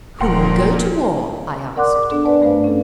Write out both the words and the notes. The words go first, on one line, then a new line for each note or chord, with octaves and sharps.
"Who will go to war?" I asked.
D#1 A#2 F3 A#4 F#5 G5 C6
A#4 D5 F#5 C6 D6 F#6
G#2
B3 D4 A4
B4 D5 F#5 G#5 A5
G2 A3 B4 C5 F5
C#4 A4